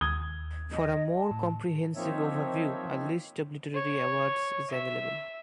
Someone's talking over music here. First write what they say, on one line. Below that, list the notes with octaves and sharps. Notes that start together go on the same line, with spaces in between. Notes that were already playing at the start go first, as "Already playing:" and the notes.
For a more comprehensive overview a list of literary awards is available.
D#2 D#6 G#6 G7
D#5
A5
A2
F3 A#3 C4 D#4 C#5 E5
C#5
E5